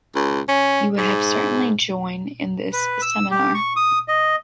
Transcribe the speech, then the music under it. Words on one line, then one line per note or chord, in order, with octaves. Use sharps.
You would have certainly join in this seminar.
C#2
C#4
G#2
B4
E6
G4
C#6
D#6
D#5